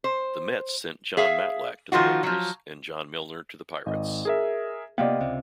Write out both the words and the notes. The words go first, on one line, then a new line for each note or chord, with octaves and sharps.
The Mets sent Jon Matlack to the Rangers and John Milner to the Pirates.
C5
G#4 E5 F5
D#3 F3 F4 F#4
F3 F#3
G#1 D#5
G#4 A#4 E5
C3 A#3 B3 D5 D#5 F5 G5
C#2 C3